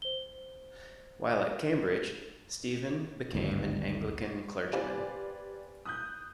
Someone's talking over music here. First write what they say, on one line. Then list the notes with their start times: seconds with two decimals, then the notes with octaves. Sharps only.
While at Cambridge, Stephen became an Anglican clergyman.
0.02 C5 G7
3.33 G#1 D2 G2
4.73 G4 B4 C5 D5 F5 G#5
5.85 D#6 F#6 G6